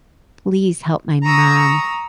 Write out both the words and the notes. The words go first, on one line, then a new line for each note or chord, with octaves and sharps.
"Please help my mom,
A#5 C#6 D#6 E6